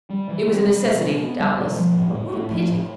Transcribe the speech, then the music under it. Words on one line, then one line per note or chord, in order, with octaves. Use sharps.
It was a necessity, doubtless; but what a pity!
G3
E3
C3
G3
B2
D4
B3
G3
B2
F3
A2
A2
A3
F3
A2